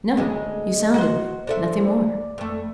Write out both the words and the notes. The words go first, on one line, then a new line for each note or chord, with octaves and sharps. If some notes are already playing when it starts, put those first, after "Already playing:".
No, you sounded me, nothing more.
D2 G#3 D#5
F#4 C5
D4 A4 C5 E5
D5
F2 A3